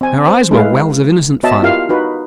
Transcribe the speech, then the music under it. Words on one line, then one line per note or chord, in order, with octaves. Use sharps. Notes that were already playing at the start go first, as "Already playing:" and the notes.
Her eyes were wells of innocent fun.
C4 G#5
C5
G#3 E4 B4 F5
B3 F#4 C#5 D#5 E5 A5
E4 F4 G4 A#4 F5
D#4 F#4 B4